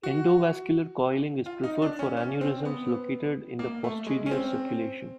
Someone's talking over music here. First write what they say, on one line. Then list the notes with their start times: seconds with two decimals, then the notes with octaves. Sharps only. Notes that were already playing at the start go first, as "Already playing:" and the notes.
Endovascular coiling is preferred for aneurysms located in the posterior circulation.
0.03 F#4
1.46 F4
1.64 D#4
1.82 D4
1.99 C#4
2.17 C#4
2.41 C4
2.65 B3
3.59 A#3
3.84 A3
4.06 G#3
4.26 C#4
4.31 C4